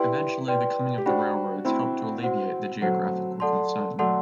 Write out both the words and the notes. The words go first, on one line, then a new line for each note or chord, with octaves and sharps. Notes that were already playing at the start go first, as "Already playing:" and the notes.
Eventually the coming of the railroads helped to alleviate the geographical concern.
Already playing: E4 G4 B4 D5 G5 C6
B4 D5 G5 C6
G4
D4 F#4 C5 G5 B5
C4 E4 C5 G5 B5
F#4 C5 F#5
F#3 A3 F#4 C5 F#5
A4 D5 F#5 A5 C6
F#3 A3 A4 D5 F#5 A5 C6